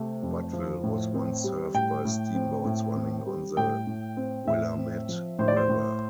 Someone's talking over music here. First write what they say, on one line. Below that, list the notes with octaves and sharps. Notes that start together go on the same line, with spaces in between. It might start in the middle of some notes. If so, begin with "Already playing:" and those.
Butteville was once served by steamboats running on the Willamette River.
Already playing: C3 A3
F2
F3
A2
C4
G3
A2 G5
A2
C4
A2
C4
G3
A2 G5
A2
C4
A2 E5
C4
F3
A2 C5
D5
C5
A2